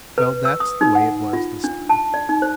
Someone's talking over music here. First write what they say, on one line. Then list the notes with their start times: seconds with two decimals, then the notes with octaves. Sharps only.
Well, that's the way it was this time.
0.18 B4
0.45 E6
0.60 D#6
0.81 D#4
0.95 F#5
1.33 F4
1.64 D4
1.89 A5
2.14 D5
2.29 D#4
2.42 C5